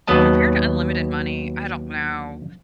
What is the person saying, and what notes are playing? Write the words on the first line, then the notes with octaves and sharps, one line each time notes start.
compared to unlimited money, I don't know,
D#2 F#3 B3 D#5 A5